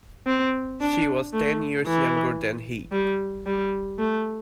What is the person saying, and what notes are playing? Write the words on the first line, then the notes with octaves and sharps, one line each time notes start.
She was ten years younger than he.
C4
D4
A3
E3
G3
G3
A3